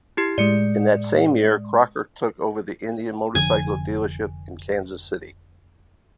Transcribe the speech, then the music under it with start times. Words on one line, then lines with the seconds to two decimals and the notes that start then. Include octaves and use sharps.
In that same year, Crocker took over the Indian motorcycle dealership in Kansas City.
0.17 E4 G4
0.38 A2 G#3 D5 C#7
3.35 F1 D3 F3 G#5